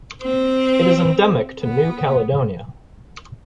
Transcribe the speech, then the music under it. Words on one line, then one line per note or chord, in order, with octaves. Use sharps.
It is endemic to New Caledonia.
C4
B3